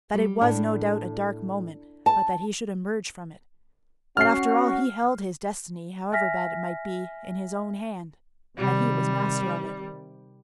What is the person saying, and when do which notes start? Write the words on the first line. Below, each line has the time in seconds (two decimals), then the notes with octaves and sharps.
That it was, no doubt, a dark moment, but that he should emerge from it; that, after all, he held his destiny, however bad it might be, in his own hand; that he was master of it.
0.14 G3
0.41 A2 D4
2.06 A5
4.17 C#4 F#4 F6 C7
6.12 E5 G#5 F6 A#6 B6
8.58 C3 D#3 G3